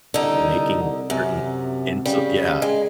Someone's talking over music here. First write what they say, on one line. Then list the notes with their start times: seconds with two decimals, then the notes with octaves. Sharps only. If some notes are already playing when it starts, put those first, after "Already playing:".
making certain into yeah.
0.14 C2 D3 D#4
1.10 F#2 C3
2.06 C#3 G3
2.62 G#3